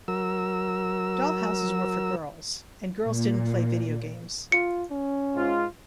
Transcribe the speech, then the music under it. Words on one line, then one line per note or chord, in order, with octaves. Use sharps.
Doll houses were for girls, and girls didn't play video games.
F#3 A#4 E6
A#2
F4 C#7
C#4
G#2 F4